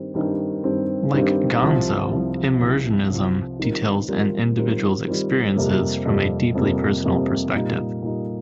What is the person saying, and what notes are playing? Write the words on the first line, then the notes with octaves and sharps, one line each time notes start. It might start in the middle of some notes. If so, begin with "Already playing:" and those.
Like Gonzo, immersionism details an individual's experiences from a deeply personal perspective.
Already playing: G2 D#3 G3 C4 G4
G2 D#3 G3 C4 G4
G2 D#3 G3 C4 G4
G2 D#3 G3 C4 G4
C2 C3 F3
C2 C3 F3
C2 C3 F3
C2 C3 F3
D#3 G3 C4 F4 A#4
D#3 G3 C4 F4 A#4
D#3 G3 C4 F4 A#4
D#3 G3 C4 F4 A#4
F2 C3 G3 A#3
F2 C3 G3 A#3
F2 C3 G3 A#3
F2 C3 G3 A#3
A#2 G3 D#4
A#2 G3 D#4